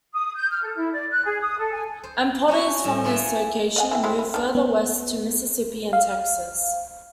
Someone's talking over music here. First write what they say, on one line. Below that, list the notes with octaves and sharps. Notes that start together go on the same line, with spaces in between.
And potters from this location moved further West to Mississippi and Texas.
D#6
G6
F6
A4
E4
D5
F#6
G#4
D#6
A4
G#5
C5
C#4 E4 F#4
A2 G3 E5
E4 F4 G#4 A4 B4 E5
D#5 F#5 G#5
E3 E5 G5
G#3 C4 E4
E4
D#3 D4
B3
F5